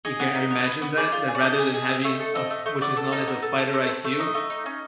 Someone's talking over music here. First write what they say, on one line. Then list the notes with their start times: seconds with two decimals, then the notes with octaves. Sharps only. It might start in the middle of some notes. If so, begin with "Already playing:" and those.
You can't imagine that that rather than having a f which is known as a fighter IQ,
0.05 G#4 D#5
0.20 B3
0.35 D#4
0.51 B3
0.66 B3
0.82 B3
0.97 G#4 D5
1.12 F4
1.28 G#4
1.35 D5
1.43 D4 D#5
1.59 G#4
1.74 G#4
1.89 C4
2.04 A3
2.20 A4
2.35 C4 D#5
2.51 A3
2.66 A3
2.81 B3 D5
2.97 A4
3.12 D#4
3.27 B3
3.42 A4
3.58 A4
3.73 A3
3.89 C4
4.04 A3
4.19 D#4 D#5
4.35 A3
4.50 D#4
4.66 C#4